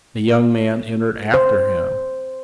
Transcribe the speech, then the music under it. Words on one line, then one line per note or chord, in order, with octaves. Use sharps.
The young man entered after him.
C5